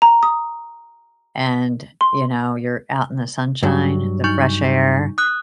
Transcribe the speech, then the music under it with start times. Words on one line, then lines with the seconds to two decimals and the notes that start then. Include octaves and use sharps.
and, you know, you're out in the sunshine, the fresh air,
0.02 A#5
0.23 D#6
2.01 C6
3.63 G2 F#3
4.24 D#4 C#6 G6
5.18 D#6 F#6